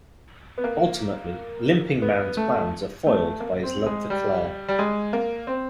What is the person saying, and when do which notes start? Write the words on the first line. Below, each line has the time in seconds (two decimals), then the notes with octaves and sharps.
Ultimately, Limping Man's plans are foiled by his love for Claire.
0.58 B3
0.64 A#3
2.02 B3
2.37 A3
3.07 A3
3.40 A#3
3.63 C4
3.86 G#3
4.10 G3
4.68 G3
4.79 G#3
5.13 A#3
5.47 C4